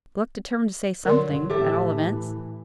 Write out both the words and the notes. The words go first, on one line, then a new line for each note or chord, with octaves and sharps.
Gluck determined to say something at all events.
D3 F#3 A#4 D5 C6
A2 E3 G4 A4 E5